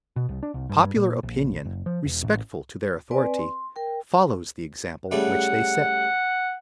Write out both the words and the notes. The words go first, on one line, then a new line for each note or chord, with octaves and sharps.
Popular opinion, respectful to their authority, follows the example which they set.
B2
C2
D4
C2
G2
A#2
A#1
F#1
F3
E1
A1
C4 B4 D5 G#5
C6
A#4 G5
C#3 G3 A3 F#5